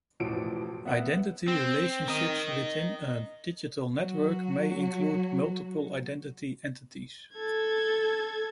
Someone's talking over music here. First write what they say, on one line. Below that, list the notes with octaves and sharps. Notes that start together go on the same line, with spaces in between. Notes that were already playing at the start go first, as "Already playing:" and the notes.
Identity relationships within a digital network may include multiple identity entities.
E1 A1 A2 E3 F3 D7
B3 E5 F#5
C4
A#4 D#5
F#3 F#4
A4 G#6